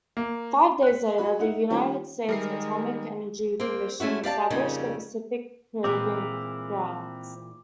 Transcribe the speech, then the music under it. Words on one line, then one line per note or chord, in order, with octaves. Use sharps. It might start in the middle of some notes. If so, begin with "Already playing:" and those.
Five days later, the United States Atomic Energy Commission established the Pacific Proving Grounds.
A#3
F#6 B6
F#4 G#4 B5
D#4 E4 F#5
D#3 G3 C#4 F4 G4 C5
D#3 G3 G#3 A#4 C7
A#3 C4
A3 C#4 E4 F#4
G4 D5 F5 A5
F2 C#3 G3 A#3 D#4
A#2 E3 G#3 C4 A#4 B4 D6